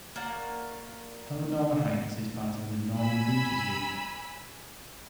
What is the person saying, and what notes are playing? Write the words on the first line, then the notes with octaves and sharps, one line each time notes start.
Elanora Heights is part of the Northern Beaches region.
A#3 F#4 D5 F#5
G#5 B5 E6